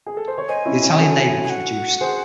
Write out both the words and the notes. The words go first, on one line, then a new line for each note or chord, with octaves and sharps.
The Italian navy was reduced.
G#4
A4
C5
C#5
C5 D#5 G#5
C#4 E4
C#4
F#4 A4
G#5
F#5
G#4 C5